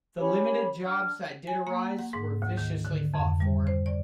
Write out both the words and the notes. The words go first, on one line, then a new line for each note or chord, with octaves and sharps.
The limited jobs that did arise were viciously fought for.
C#4 G4 C#5 B5
D4 F6
G#5
A#3
F#5
G#2
D2
D#3
D3
F2
G3
C5
D5